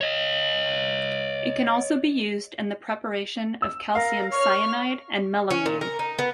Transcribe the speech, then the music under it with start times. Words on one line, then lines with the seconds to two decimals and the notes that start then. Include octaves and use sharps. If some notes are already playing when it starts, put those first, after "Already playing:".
It can also be used in the preparation of calcium cyanide and melamine.
0.01 C#5 D#5
3.62 E6
3.95 A#4 F5
4.32 C#5 C#6 F6
5.50 C#4
5.66 A#2
5.81 A#4
5.99 D#4
6.19 B3